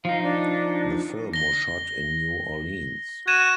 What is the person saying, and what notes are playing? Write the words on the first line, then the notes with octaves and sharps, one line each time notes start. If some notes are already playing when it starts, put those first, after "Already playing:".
The film was shot in New Orleans.
F3 D#4 F5
D4
A#6 G7
F#4 G#6 D#7 E7